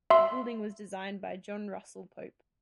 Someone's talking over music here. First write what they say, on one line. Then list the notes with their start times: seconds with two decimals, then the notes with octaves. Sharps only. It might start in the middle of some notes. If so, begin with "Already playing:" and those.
The building was designed by John Russell Pope.
0.10 E5 C6